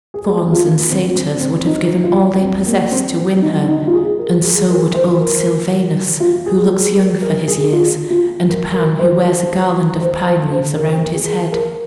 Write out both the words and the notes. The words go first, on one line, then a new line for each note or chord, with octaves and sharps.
The Fauns and Satyrs would have given all they possessed to win her, and so would old Sylvanus, who looks young for his years, and Pan, who wears a garland of pine leaves around his head.
G#4
F4
C4
C4
C4
D#4
F4
C4
A#3
C4
C4
D#4
D#4
F4
G#4
A#4
G#4
A#4
C5
A#4
F4
G#4
G#4
A#4
A#4
G#4
F4
F4
A#4
A#4
C5
C5
C5
C5
A#4
G#4
A#4